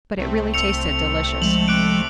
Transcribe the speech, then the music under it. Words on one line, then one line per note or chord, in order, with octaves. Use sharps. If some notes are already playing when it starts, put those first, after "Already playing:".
But it really tasted delicious.
C2 A3 C4
E6 C#7 F7
F3 G#3 F#7
D6 F#6 D7